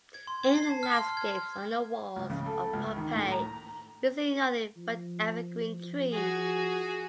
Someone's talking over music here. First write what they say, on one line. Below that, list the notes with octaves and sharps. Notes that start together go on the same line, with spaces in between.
In the landscapes on the walls of Pompeii we see nothing but evergreen trees.
G#6
C6
G#6
C7
A5
F6
C6
G#6
C#2
C#3
A4
C#2
D#3
A2
A#5
F3
F#4 G#4